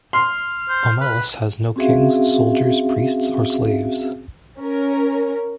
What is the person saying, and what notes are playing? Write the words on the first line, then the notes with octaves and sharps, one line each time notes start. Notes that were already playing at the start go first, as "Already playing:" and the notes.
Omelas has no kings, soldiers, priests, or slaves.
C6 F6
C5
B4
C4 C#4 F#4 G#4 E5 F5
C#4 A#4